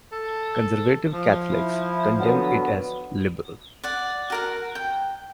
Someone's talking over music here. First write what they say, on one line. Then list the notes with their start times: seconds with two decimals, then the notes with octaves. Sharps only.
Conservative Catholics condemned it as "liberal".
0.12 A4
1.13 F3
1.49 E4
2.17 D3 F#3 B3
3.83 D5 F#5
4.30 F#4 A#4 F#5
4.75 G5